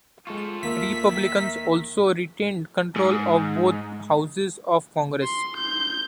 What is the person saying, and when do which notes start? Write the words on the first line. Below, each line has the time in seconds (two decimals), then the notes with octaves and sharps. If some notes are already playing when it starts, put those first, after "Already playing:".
Republicans also retained control of both houses of Congress.
0.27 G#3 F4 A4 C#6
0.63 D#2 A#3 E5 E6 B6
1.09 D#3
2.96 G#2
5.23 C6
5.57 G6